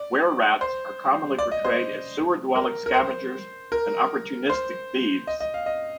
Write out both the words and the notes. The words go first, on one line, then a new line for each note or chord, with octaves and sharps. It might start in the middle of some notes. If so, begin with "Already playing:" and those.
Were-rats are commonly portrayed as sewer-dwelling scavengers and opportunistic thieves.
Already playing: D5
C5
D5
D#5
C5
A#4
A#4
C5
A#4
C5
D#5
D#5
F5
D#5